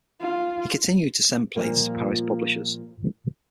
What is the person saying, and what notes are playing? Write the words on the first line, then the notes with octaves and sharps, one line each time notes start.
He continued to send plates to Paris publishers.
F4
A#2 D#3 F3 G3 A#3